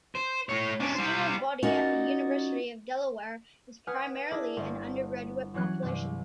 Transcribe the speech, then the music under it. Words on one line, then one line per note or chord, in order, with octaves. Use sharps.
The student body at the University of Delaware is primarily an undergraduate population.
C5
A3 C#5
C#4 D4
G3 C5
C#4 D#4 F4 F#4 A#4 D5
B4 F#5 G#5 D#6 F6
D4 E4 G#4 A#4 E5
G1
E3 F#3 C#4 F#6
C2 G2 C3